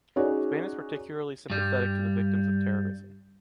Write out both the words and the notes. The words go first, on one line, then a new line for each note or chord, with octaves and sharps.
Spain is particularly sympathetic to the victims of terrorism.
C#4 D#4 F#4 G#4 C#5 D5
G2 G3